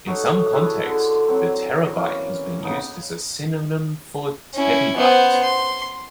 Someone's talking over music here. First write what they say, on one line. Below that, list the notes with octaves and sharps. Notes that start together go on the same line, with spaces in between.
In some contexts, the terabyte has been used as a synonym for tebibyte.
D#4 F#4 A4 C#5
D4 E4 G#4
D3 A5 C6
F#3 C4
E3 A#3 C#4
C#3 B3 D#4 A5
C#4 E4
B3 C5
C6